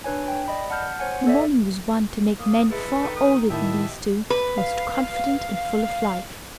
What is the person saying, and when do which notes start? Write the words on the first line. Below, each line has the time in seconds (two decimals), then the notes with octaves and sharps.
The morning was one to make men far older than these two most confident and full of life.
0.04 D4 B4 C#5 G#5
0.28 G5
0.48 D5 D#5 B5
0.70 F#5 A5 F6 G6
0.99 C5 C#5 F#5 G#5
1.27 A4 D5 E5
2.39 A#3 D#6
2.70 G#3 E4 A4 B4
3.03 D#3 A3 D#4
3.16 D#6
3.50 A2 D#3 E4 G4 D#5 E5 A5
4.30 B4
4.58 F5